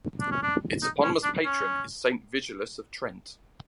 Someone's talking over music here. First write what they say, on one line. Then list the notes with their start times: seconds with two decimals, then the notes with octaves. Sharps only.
Its eponymous patron is Saint Vigilius of Trent.
0.21 D4
0.31 C#4
0.43 D4
0.83 D#4
1.03 C#4
1.24 D4
1.45 C#4